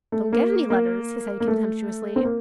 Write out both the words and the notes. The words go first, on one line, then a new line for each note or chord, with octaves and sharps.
"Don't get any letters," he said contemptuously.
A3
A#3
A#3
A#3
A3
C4
A#3